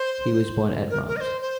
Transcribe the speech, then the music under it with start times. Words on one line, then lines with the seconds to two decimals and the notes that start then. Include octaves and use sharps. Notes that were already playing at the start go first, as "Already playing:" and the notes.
He was born at Reims.
Already playing: C5
0.90 A#4
1.07 A#4
1.16 D#5
1.20 C5
1.41 C5